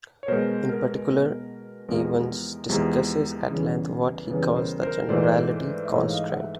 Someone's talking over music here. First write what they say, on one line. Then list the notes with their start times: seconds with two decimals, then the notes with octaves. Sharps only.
In particular, Evans discusses at length what he calls the "Generality Constraint".
0.23 C#5
0.28 B2 G#3 A#4 C5
0.69 A#4
1.08 B2 G#3
1.89 E2 C3 F3 G#3 A#4
2.69 E2 C3 F3 G#3
3.49 E2 C#3 E3 G3
4.29 E2 C#3 E3 G3 B4
4.56 A#4 C5
4.82 A#4 C5
5.09 G#2 E3 A3 C5 D5
5.85 E5
5.90 G#2 E3 A3 C#5 D#5
6.09 D#5 F5
6.29 E5 F#5